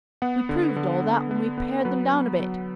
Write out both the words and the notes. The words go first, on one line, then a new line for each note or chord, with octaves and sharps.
We proved all that when we pared them down a bit.
B3 F#5
D3
D3
D3
B3
B3
F#3 B4
B3
F#3